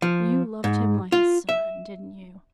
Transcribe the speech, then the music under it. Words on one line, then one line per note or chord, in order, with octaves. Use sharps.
You loved him like a son; didn't you?
F3
G#2
F4
E5